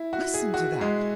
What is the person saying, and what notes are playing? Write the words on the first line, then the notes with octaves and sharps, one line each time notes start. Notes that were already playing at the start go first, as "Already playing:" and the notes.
Listen to that!
Already playing: E4
F#4
G#4
F#4
G#3